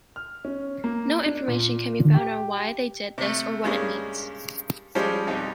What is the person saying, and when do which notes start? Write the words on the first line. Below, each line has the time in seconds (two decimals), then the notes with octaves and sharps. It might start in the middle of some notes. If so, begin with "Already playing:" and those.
No information can be found on why they did this or what it means.
0.16 F6
0.45 C#4
0.84 A#3
1.26 D4
1.48 A#2
2.14 G4
3.18 C3 A3
3.64 G2 G3 G#3 A#3 C#4
4.95 F3 G3 G#3 C#4
5.27 B1 F2 G3 D#4